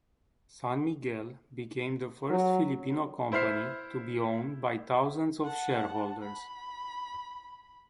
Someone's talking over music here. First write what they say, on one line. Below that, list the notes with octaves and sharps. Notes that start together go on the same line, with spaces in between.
San Miguel became the first Filipino company to be owned by thousands of shareholders.
F#3
E4 C5 E5 F6 C7
F#5 A5
B5